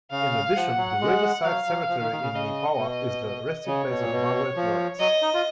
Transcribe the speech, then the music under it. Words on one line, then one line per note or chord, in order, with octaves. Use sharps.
In addition the Riverside Cemetery in Neepawa is the resting place of Margaret Laurence.
C#3 F5
F3 F#5
F#3
G#3
F#3 F5
F#3
F3
D#3
D#3
C#3
C#3 D#5
B2
C#3 C#5
B2
A#2
B2
F3
F#3 D#5
D#4
F4